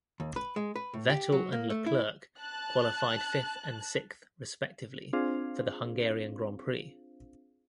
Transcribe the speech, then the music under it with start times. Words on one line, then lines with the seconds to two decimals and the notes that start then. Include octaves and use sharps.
Vettel and Leclerc qualified fifth and sixth respectively for the Hungarian Grand Prix.
0.20 D#2
0.36 B4
0.56 G#3
0.76 B4
0.94 A2
1.10 G4
1.32 F#3
1.53 A#3
1.70 A3
1.86 E4
2.39 A5 F#6
5.13 C4 D4 F4 G#4 C5 F5